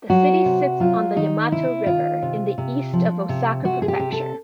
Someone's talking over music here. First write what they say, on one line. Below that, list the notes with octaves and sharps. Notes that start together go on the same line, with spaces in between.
The city sits on the Yamato River in the east of Osaka Prefecture.
F#3 F#4
C3
F#3 F4
D#3 D#4
C3 E4
D#3 F4
C3
C3
F3
C3
C3 F#4
G#4
G4
C3
A4